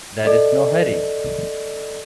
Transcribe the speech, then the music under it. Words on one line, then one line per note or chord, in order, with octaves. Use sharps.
There is no hurry.
A4 D5 D#5